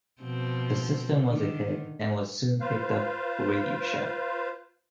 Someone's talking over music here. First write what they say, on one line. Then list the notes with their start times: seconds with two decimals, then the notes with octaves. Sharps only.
The system was a hit, and was soon picked up for Radio Shack.
0.22 B2 F3 C4
1.27 D3 D#3
2.60 F4 B4 C5 F5